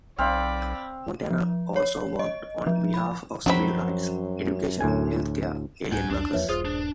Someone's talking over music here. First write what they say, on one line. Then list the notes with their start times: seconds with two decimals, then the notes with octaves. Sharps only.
Montoya also worked on behalf of civil rights, education, health care, alien workers.
0.19 B1 C4 D5 F5 B5 F6
1.30 F3
1.76 C#5
2.19 D#5
2.67 F3
2.94 B5
3.46 F#2 F3 F#3 C4 C#4 B5
4.81 D2 A2 G#5
5.92 C2 G#2 F#5 G#5
6.10 C2 F2 D4
6.33 E2 F3 A#3 B4 C#5 E5
6.49 D#1 G2 F4 G#4 C5 D#6
6.65 D4